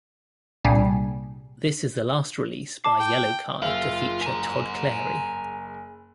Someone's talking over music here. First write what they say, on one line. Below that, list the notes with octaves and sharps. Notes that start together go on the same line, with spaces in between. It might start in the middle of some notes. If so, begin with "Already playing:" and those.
This is the last release by Yellowcard to feature Todd Clary.
C2 A#2 G3 D4 G#4
A5 D6 C7
G5
F#1 F4 E5 F#7
G#5 A#5